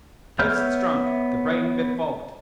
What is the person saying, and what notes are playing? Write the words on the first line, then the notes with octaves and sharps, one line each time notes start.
Toasts drunk. The brain befogged.
B3 C#5 E5 F6 G6